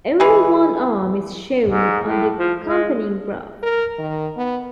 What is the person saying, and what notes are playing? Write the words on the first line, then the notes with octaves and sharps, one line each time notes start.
Only one arm is shown on the accompanying graph.
E3 G#3
G#2
A2
F3
G#3
A#4
D#3
B3